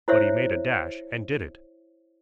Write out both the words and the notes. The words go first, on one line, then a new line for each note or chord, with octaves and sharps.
But he made a dash and did it.
E4 C5 C#5 E5